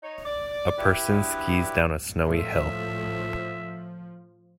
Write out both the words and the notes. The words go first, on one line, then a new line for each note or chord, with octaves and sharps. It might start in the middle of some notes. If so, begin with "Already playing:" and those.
A person skis down a snowy hill.
D#4 C#5
D5
E4 G4 B4
F#3 B3 D4
A2 F3 A3 E5